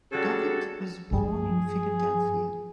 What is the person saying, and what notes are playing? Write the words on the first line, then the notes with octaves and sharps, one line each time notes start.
Doggett was born in Philadelphia.
C#3 G3 F#4 A4
G2 F3 G#4